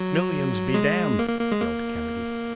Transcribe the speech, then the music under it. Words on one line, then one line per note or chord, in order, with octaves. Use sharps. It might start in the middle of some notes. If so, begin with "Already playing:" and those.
"Millions, be damned!" yelled Kennedy.
Already playing: F#3
G#3
A#3
A#3
A#3
G#3
A#3